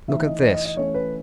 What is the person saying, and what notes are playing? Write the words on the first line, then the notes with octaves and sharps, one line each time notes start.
"Look at this!"
E3 A3 D#4 E5
D#5
D#5
D#5
D#5
E3 A3 C#4 C#5
B4